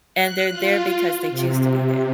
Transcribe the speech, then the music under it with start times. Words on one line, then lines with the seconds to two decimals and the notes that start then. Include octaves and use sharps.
and they're there because they choose to be there.
0.14 F#6
0.51 F4
1.30 C3